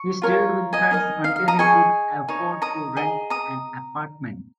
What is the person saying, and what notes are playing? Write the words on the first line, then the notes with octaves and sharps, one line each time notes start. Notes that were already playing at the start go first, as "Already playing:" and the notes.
He stayed with friends until he could afford to rent an apartment.
Already playing: C#6
F4 A#4 C#5
D#5 G#5
D#4 A#4 D#5
F5
F5
A#5 D#6
G#4 D#5 G#5 C#6
D#4 C#5
A#5 D#6
G#4 D#5
A#5 D#6